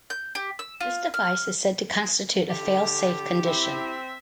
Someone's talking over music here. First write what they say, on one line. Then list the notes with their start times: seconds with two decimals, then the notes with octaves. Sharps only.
This device is said to constitute a fail-safe condition.
0.10 G6
0.35 G4
0.59 E6
0.80 F4
1.14 F6
2.50 D3 G4
3.45 C4 E4 E5